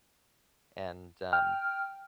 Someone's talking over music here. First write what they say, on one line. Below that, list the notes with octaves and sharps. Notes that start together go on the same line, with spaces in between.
And, um,
G5 F6